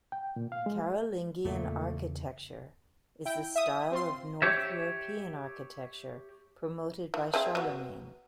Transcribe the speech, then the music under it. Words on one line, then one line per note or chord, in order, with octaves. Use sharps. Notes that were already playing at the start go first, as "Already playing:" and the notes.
Carolingian architecture is the style of North European architecture promoted by Charlemagne.
G5
A#2
F5
G#3
E2 A#2 C#3 A3
E4 G5
E5 D#6
C4 F4 C6
G4 C#5 E5
E3
C4 G#4 E5
F#3 B3